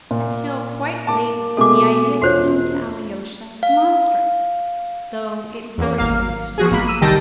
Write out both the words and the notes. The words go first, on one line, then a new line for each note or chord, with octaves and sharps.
Until quite lately the idea seemed to Alyosha monstrous, though it worried him extremely.
A#2
A#3 A5 D6
B2 G#3 A3 A4 D6
E1 F4 F#4 C5 C#5
F5
E2 A#3
G#1 A#3 F5
F3 F#4 G#4
G#1 A#3 B5
E6 D#7
C2 D#3 G3 G5 A5 A#6